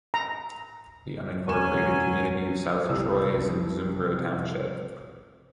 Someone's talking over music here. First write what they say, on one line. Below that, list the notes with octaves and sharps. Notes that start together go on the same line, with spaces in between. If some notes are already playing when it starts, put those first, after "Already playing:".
The unincorporated community of South Troy is in Zumbro Township.
A#5
E1 F#3 C#4 G#5 E7
C2 G3 D#6 E6